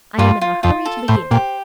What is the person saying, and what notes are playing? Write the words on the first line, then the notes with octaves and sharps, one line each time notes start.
I am in a hurry to begin.
G2 F4
F4
F2 F4
A4
A2 C5
A#2 G4